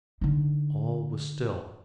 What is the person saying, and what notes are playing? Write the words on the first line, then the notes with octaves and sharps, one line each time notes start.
All was still.
D3 D#4